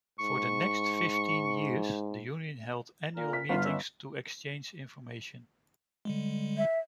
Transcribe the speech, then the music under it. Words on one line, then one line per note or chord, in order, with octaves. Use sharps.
For the next fifteen years the Union held annual meetings to exchange information.
G#2 C#6
A#2 A#4
B6
G1 D3 F4
C#4 D#5 E5
D3 G3 G#3
E5